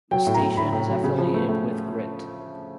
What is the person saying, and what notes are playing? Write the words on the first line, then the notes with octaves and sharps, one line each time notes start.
The station is affiliated with Grit.
F#3 G5
A2
A#5
A2
A2 B5
A2
F#3
C#3
F3
A3
A3